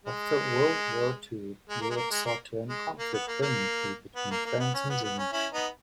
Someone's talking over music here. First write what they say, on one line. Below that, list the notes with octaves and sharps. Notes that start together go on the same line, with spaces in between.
After World War Two, Europe sought to end conflict permanently between France and Germany.
G#3
G#3
A#3
G#3
A#3
G#3
A#3
G#3
A#3
B3
A#3
A#3
B3
A#3
A#3
B3
C#4
B3
B3
C#4
C#4 E4
B3 D#4